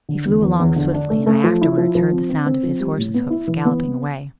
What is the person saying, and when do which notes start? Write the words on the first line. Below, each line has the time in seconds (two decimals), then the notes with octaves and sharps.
He flew along swiftly, and I afterwards heard the sound of his horse's hoofs galloping away.
0.09 D3
0.25 E2
0.42 E2
0.59 E2
0.76 D3
0.94 D4
1.10 A3
1.26 A3
1.44 F3
1.62 E4
1.77 F3
1.95 F3
2.12 C4
2.29 C4
2.46 C4
2.63 F3
2.80 G3
2.97 A2
3.14 B3
3.30 E4
3.47 E3
3.65 B3